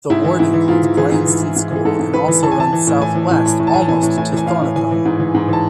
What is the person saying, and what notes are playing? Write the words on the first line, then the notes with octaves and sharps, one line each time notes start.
The ward includes Bryanston School and also runs south west almost to Thornicombe.
G#2 E4
E3
G#2 E4
E3
G#2 F4
E3
E3 G#4
G#2
E3
E3
G#2
E3
G#4
G#2 A4
G#2
G#2 B4
E3
E3 A5
G#5
E3 A5
E3
A2
E3 G#5
E3
A2
A2
A2
A5
A2 G#5
A5
E3 G#5
A2
A2 G#5
E3 G#5
A2 F5
A2
E3 G#5
E3
G#2
E3
G#2
E3 A5